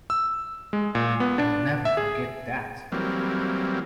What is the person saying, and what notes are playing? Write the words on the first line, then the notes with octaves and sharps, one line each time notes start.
I'll never forget that.
E6
G#3
A#2
B3
D4
E5
G#4
E3 F#3 G3 A#3 C4